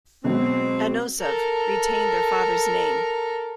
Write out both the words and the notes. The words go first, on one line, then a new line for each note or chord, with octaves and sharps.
Anosov, retained their father's name.
B2 F#3 G#3 C4
A4 A#4